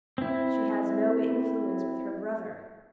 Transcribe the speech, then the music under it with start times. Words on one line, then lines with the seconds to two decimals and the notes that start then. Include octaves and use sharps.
"She has no influence with her brother."
0.18 C4 E4